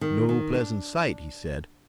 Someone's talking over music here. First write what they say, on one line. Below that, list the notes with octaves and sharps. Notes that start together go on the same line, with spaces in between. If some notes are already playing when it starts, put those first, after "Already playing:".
"No pleasant sight," he said.
D#3
D#3
D4